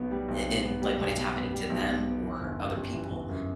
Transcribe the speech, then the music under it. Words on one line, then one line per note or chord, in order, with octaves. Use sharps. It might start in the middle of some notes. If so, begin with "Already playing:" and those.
a and, like, when it's happening to them or other people,
Already playing: B1 B2 B3
G3
B1
B2
B3
G3
B1
B2
B3
G3
B1
B2
B3
E3
G1
F#2
G3
E3
G1
F#2